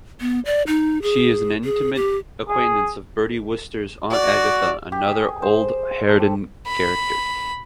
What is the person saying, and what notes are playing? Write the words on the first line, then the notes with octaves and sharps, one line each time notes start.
She is an intimate acquaintance of Bertie Wooster's Aunt Agatha, another old harridan character.
B3
D5
D#4
G#4
G#4
G4
G#4
F#4 D5
G4
G#4
C5
A4
G4
B5